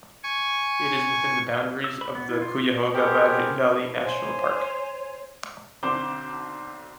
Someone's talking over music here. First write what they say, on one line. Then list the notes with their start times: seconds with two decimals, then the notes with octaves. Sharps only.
It is within the boundaries of the Cuyahoga Valley National Park.
0.23 G#5 C#6
1.84 E6
2.01 B5
2.15 B3
2.29 E4
2.42 F4
2.94 B3 G4 G#4 A#4 C5
4.02 C5 C#5 G#5
5.83 B1 D3 C4 C5 D6 G7